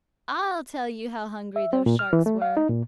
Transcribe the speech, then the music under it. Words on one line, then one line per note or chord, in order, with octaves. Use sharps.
I'll tell you how hungry those sharks were.
E5
C4
A#2
F6
E3
A3
F5
D#4
A#2